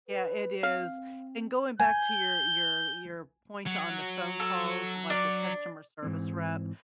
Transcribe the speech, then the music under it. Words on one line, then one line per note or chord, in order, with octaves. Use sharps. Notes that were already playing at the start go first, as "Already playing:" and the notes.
Yeah, it is. And going back to your your your point on the phone calls, like a customer service rep,
B4
C4 F5
G#5 G6
F#3
A4
D4
G#2 E3 C4